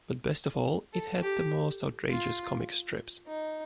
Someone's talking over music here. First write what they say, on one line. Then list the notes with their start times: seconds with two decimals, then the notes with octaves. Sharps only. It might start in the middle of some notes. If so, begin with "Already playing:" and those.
But best of all, it had the most outrageous comic strips.
0.93 A4
1.22 G4
2.10 F4
3.27 D#4